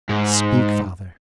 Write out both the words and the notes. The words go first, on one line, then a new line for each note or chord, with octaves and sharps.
Speak, Father.
G#2